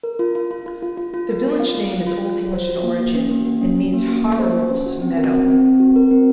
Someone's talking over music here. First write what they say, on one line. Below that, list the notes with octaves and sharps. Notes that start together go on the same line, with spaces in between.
The village name is Old English in origin, and means 'Heoruwulf's meadow'.
A#4
F4
F4
F4
F4
F4
F4
F4
A#4
F4
F5
F4
F4
F4
F4
F4
C5
F#4
A#3
F#4
C#4
A#3
F#4
C#4
C#4
A#3
F#4
A#3
C5
F#4
C#4
F#4
C4
A#4
C4
C4
C4
F#4
A#4
C4